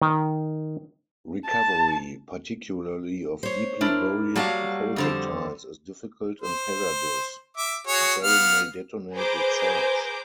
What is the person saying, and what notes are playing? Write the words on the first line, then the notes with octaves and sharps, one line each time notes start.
Recovery, particularly of deeply-buried projectiles, is difficult and hazardous-jarring may detonate the charge.
D#3
A5
C5 C#5
D4 E4 A#4
F#3 G3 A#3 F#4 F5 A5
F2 D3 C5
C5
E5 D6
F#4 G#4 C#5
B3 F5 F6
G#4 B4 C5 A#5 D6 G6